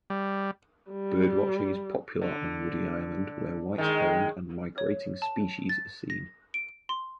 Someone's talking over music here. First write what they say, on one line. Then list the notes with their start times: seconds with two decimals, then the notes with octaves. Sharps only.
Birdwatching is popular on Woody Island where white heron and migrating species are seen.
0.10 G3
0.90 G3
2.22 D3
3.78 D#3 G#3
4.78 C#5
5.22 A5
5.69 A6
6.10 A#6
6.54 D7
6.89 C6